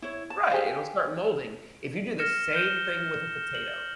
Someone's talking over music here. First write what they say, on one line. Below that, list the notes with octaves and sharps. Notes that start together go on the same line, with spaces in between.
Right, it'll start molding. If you do the same thing with a potato,
E4 C#5
A5
G4 G#4 C5 F5
F6 A#6 C#7 E7
G6 E7 G7
F#7